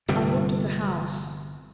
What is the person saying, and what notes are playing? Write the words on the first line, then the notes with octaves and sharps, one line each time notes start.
I LOOKED at the house.
G1 C3 G3